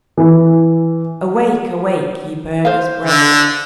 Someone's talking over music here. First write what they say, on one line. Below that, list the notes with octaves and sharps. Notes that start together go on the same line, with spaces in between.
Awake, awake, ye burghers brave!
E3
C5 F5
D3